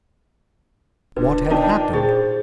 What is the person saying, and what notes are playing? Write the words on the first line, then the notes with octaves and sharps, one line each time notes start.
What had happened?
D#1 A#2 D4 B4
D#3 D4 D#4 D5 G5 A5
A#2 G4 G#4 C5 B5 A6